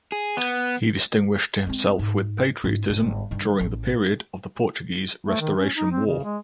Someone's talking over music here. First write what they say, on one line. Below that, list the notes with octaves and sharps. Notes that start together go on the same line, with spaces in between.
He distinguished himself with patriotism during the period of the Portuguese Restoration War.
G#4
B3
G#3 C4
G#2
G#2 C#4
G1 G#2
G2 D#3
A1
A3
D#3
C#4
D#4
C4
C#3
G#3